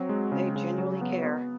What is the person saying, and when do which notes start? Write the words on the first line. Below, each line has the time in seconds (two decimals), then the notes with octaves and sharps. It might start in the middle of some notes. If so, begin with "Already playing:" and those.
They genuinely care.
Already playing: F#3 C4
0.09 G#3
0.32 C#3
0.55 C#3
0.78 F#3
1.01 B3
1.24 B3